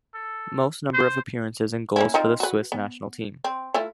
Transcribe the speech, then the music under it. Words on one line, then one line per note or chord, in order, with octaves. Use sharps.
Most number of appearances and goals for the Swiss national team.
A4
C5
A#3 C#4 E4
C4 D#4 F4
F#4 B4
B3
C4
A3 E4 F4